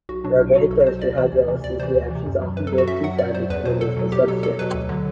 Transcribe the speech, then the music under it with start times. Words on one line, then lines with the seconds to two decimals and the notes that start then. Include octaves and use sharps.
In organic chemistry, hydrolysis reactions often give two fragments from an initial substrate.
0.09 B1 F#4
0.24 B2 F#3 D4
0.40 B1
0.55 B2 F#3 F#4
0.70 B1 A4
0.87 B2 F#3 C5
1.02 D2 D5
1.18 C3 E3 C5
1.33 D2
1.48 C3 E3
1.64 D2 D5
1.80 C3 E3 C5
1.95 D2
2.11 C3 E3
2.26 F#2
2.42 F#3
2.57 F#2 B4
2.67 A4
2.73 F#3
2.78 F#4
2.88 F#2 E5
3.03 F#3 F#5
3.19 F#2 D5
3.34 F#3 C5
3.50 E2 B4
3.65 B2 F#3 C5
3.81 E2 A4
3.97 B2 F#3
4.12 E2 G4
4.28 B2 F#3 A4
4.43 E2 A4
4.59 B2 F#3 B4
4.74 D2
4.89 D3 F#3